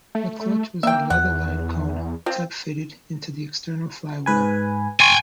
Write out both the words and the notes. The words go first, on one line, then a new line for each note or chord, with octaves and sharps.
The clutch was a leather lined cone type fitted into the external flywheel.
A3
A#3 E5 G5
E2 F#5
C4 F4
G#2 B4 G#5
G5 G#5 C6 C#6